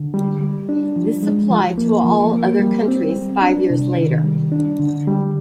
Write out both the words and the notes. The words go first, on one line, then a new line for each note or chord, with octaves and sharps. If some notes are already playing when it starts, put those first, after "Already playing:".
This applied to all other countries five years later.
Already playing: D3
G3
G3
D4
F3
G#3
F3
A#3
F3
A#3
G3
C4
G3
D4
C3
D#3
G3
D4
D3
G3